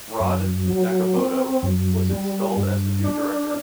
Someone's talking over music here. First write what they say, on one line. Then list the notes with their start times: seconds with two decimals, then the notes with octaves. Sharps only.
Rod Nakamoto was installed as the new director.
0.20 F#2
0.67 F#3
1.15 C4
1.62 F#2
2.09 G3
2.57 G2
3.04 D4